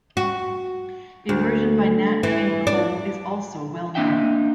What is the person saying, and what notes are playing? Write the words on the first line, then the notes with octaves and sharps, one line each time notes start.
A version by Nat King Cole is also well known.
F#4
D2
E3
D4
A#3 C4 D4 D#4 E5 G5